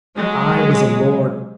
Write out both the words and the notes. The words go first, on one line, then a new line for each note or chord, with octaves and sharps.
I was a lord.
F#3 G#3